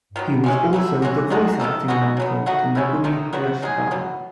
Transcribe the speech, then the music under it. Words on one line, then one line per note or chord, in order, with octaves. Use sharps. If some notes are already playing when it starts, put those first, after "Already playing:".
He was also the voice acting mentor to Megumi Hayashibara.
D#3 F#3 B3
E3 G#3 C#4
F#3 A3 E4
E3 G#3 C#4 F#4
D#3 G#3 D#4 F#4
D#3 A3 D#4 A4
G#3 B3 D#4 F#4
C#3 F#3 B3
F#3 A3 D#4 F#4
G#3 C#4 E4
D#3 A3 D#4
F#3 B3 F#4
C#3 G#3 D#4 G#4
B2 F#3 B3